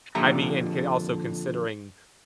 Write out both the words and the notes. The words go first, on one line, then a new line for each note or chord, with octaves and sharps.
I mean and can also considering
F2 A#2 D3 G4 E5 A#5